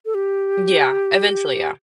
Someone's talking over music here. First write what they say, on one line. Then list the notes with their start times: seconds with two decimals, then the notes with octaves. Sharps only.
Yeah, eventually, yeah.
0.06 A4
0.15 G4